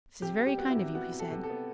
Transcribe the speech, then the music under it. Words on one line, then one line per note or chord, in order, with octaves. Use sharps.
"This is very kind of you," he said.
C3 G4
G3
G4
B3 F#4
E4
C3
B3 F#4
C3
A4
C3
A4
B3